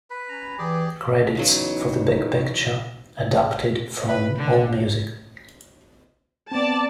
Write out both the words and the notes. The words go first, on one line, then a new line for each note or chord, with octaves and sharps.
Credits for "The Big Picture" adapted from Allmusic.
B4
C#4 G#5 A#5
E3 G4 G#4 D5
E2 C#3 E3 F#3 B3 D#4
B4
D3
B3 C4 D5 A5